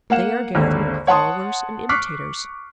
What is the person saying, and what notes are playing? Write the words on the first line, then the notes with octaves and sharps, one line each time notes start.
They are gathering followers and imitators.
A#3 F5 F#5 E7
G#1 D#2 D3
C#5 F#5 A5 C6 D#6
C#6 D6 F6 F#6 B6 C7